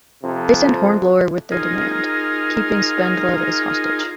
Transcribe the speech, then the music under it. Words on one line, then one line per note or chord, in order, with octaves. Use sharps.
They send Hornblower with their demand, keeping Spendlove as hostage.
F2 C3
D#4 F4 G#4 A#4